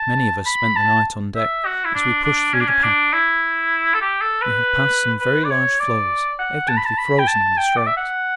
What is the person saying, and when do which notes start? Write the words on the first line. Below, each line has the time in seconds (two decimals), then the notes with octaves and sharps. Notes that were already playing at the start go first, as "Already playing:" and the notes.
'Many of us spent the night on deck as we pushed through the pack.' We have passed some very large floes evidently frozen in the strait.
Already playing: A5
0.47 B5
0.76 A5
1.36 E5
1.65 F#4
1.85 E4
1.95 D4
2.24 D4
2.54 C#4
2.61 D4
2.69 C#4
2.84 D4
3.13 E4
3.94 A4
4.01 G4
4.22 A4
4.42 B4
5.21 B4
5.44 D5
5.50 C#5
5.80 D5
6.39 F#5
6.69 A5
6.77 B5
6.86 A5
6.98 B5
7.19 G5
7.28 A5
7.58 G5
7.77 D5
7.87 E5
7.97 F#5